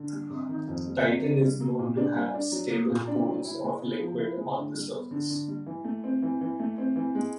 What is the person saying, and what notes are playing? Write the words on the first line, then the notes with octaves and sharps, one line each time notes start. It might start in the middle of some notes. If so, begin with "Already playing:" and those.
Titan is known to have stable pools of liquid on the surface.
Already playing: D3
G3
C3
D#3
F2
G3
C3
D4
G3
A#3
A#2
D4
G3
D4
F#3
A#3
A#2
D4
F#3
E4
G#3
B3
F3
E4
G#3
D3
G3
B3
D3
D3
G3
E3
A3
C4
E3
E3
A3
C4
E3
G#3